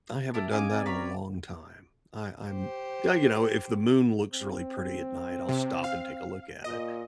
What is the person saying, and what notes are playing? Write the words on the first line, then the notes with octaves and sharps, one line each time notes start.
I haven't done that in a long time. I I'm yeah, you know if the moon looks really pretty at night, I'll stop and take a look at it.
E4 G4 A#4 A5
C#4 D#5 F5 G#5 B5 D6
C4 D5
B4 C#5 F5 A#5 B5
G4 C5
C4
C3
F5
A#2 D#5